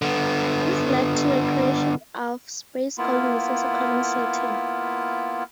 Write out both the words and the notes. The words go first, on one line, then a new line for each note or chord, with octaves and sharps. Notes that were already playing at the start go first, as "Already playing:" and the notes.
This led to the creation of space colonies as a common setting.
D3 B3
A#3 B3 E4 F4